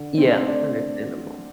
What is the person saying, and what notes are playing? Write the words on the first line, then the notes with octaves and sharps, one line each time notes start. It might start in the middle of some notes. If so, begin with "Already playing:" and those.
Yeah, understandable.
Already playing: D3
A3 C4
A3 D4